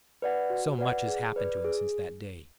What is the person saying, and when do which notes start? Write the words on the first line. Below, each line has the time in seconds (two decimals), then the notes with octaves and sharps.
So much has happened to him since that day.
0.22 B4 D5 F#5
0.50 F#4
0.79 B4 D5 F#5
1.07 G#4
1.36 B4 D5
1.64 G#4